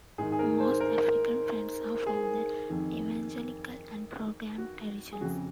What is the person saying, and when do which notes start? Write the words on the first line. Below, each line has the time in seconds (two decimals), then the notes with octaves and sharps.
Most African Friends are from the evangelical and programmed traditions.
0.18 G#2 D#3 G#4
0.32 G#4
0.39 A#4
0.60 C5
0.80 A#4
2.07 G#4
2.70 F2 D#3
4.58 F#4
5.13 G#4
5.21 F2 C#3 F#4